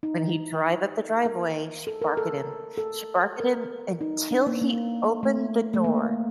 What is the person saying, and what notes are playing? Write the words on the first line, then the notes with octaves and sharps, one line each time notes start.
when he'd drive up the driveway, she'd bark at him. She'd bark at him until he opened the door,
D#4
A#4
A4
A#4
A4
A4
A#4
D#4
D4
A#3
A#3
A3
A3
A#3